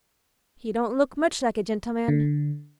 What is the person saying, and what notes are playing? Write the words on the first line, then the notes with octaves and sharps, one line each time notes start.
"He don't look much like a gentleman."
D3